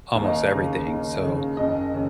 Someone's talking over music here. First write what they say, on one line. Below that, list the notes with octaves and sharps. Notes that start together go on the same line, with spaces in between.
almost everything, so,
D#2 F5
D#5
F5
C#3
D#2
C#3
F#1 D#5
C#3